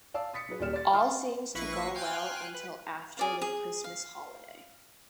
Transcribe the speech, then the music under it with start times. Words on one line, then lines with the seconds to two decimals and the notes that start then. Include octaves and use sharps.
All seems to go well until after the Christmas holiday.
0.14 D5 F5 A5 E6
0.33 D#6 A6 B6 C#7
0.49 F#3 G#4 B4
0.60 D#1 A#2 G4 D5 F6 E7
0.73 D5 A6
0.93 E5 G5 C6 D#6 F6
1.55 A#1 E4 B4 C#6 A#6 C7
1.95 F5 G5 G#5 C6 F6 F#6
2.54 B4
3.17 G#4 D5 F5
3.42 G#4
3.84 F5